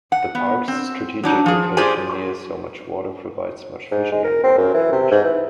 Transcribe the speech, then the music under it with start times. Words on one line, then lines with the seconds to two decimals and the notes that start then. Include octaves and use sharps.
The park's strategic location near so much water provides much fishing and water recreation.
0.12 F#5
0.35 B3
0.68 C4
1.23 F#3 D4 D#4
1.46 F3 G#4
1.77 F4 G4 G#4 C5 D5 G#5
3.92 G#2
4.12 G#3
4.24 A#4
4.44 C4
4.58 F#2
4.74 E3
4.92 C3
5.12 G#2
5.24 E3